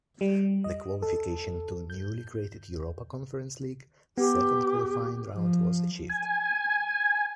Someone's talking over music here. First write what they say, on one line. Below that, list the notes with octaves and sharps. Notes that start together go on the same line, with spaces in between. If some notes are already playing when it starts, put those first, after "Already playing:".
The qualification to the newly created Europa Conference League second qualifying round was achieved.
G3
D#5
A4
G6
B3 G4
F3
G#5